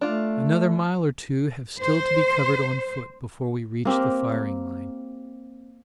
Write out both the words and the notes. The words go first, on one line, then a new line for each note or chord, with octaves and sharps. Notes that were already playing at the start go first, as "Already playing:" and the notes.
Another mile or two have still to be covered on foot before we reach the firing-line.
A3 D4 F4
C5
A#3 C4 G4 A#4